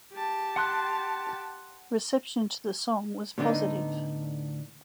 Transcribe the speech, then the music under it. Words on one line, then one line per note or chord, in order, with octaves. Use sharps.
Reception to the song was positive.
G4 A5
F#5 C6 F#6
A2 D3 B3 D4 D#4